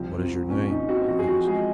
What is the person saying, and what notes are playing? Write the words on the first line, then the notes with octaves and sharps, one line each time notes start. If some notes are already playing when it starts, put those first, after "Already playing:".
"What is your name?" he asked.
Already playing: C2 F3 C4
C4
F3
A#2 C#4
A#2 D#4
C4 F#4
F3 F#4
G#4
F3 F#4
G#3 G#4